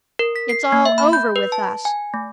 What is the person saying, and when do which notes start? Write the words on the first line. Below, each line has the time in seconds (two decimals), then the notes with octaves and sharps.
It's all over with us.
0.19 A#4
0.36 B6
0.49 C7
0.72 A#3
0.85 E5
0.98 B5
1.13 G6
1.36 B4
1.52 A5
1.85 G#5
2.14 A3